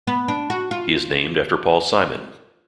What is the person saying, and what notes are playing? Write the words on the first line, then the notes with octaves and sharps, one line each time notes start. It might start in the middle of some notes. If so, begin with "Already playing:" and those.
He is named after Paul Simon.
B3
D4
F#4
F4